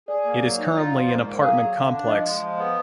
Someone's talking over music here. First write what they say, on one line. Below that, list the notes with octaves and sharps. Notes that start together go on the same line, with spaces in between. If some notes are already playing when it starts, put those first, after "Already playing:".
It is currently an apartment complex.
G#4 D5
A#3
F#3
D#4
F4
F3
G#2
A#3
G#4 F5
F#3
D3
D4
F3 D#5
G#3
F3
B3